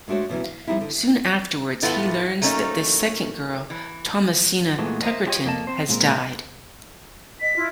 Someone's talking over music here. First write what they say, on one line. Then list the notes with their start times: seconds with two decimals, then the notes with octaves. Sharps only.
Soon afterwards he learns that this second girl, Thomasina Tuckerton, has died.
0.08 G#3 A3 D4 F#4 C5 C#5
0.29 B2 E3 F#3 C#4
0.44 F5
0.67 F3 G3 C4 D#4 E4
0.81 D3
1.82 A2 E3 A3 B3 F4
2.41 F#3 A3 A#3 C#4 D#4
3.70 E3
4.78 A#2 E3 G#3 A3 B3 D4
5.02 A#4 C5 D#5 E5
5.26 D4 F4 G4 A#4 C#5 D#5
5.45 F2 A3 A#3 D4 D#5 A5
5.67 C4 C5
5.89 A#2 G#3 C4 A#4
7.41 D#5 B6
7.56 E4 F4